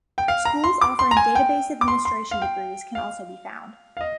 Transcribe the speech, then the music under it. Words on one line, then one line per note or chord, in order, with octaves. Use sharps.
Schools offering Database Administration degrees can also be found.
G5
F5
A#5
C6
D6
C6
A#5
G#5
G5
D6
C6
C6
F5
G5
F5
F5
D#5